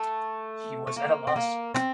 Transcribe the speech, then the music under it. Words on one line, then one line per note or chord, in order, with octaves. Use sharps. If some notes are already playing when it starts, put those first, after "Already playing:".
He was at a loss.
Already playing: A3
A3
A#3
C4
A#3
C4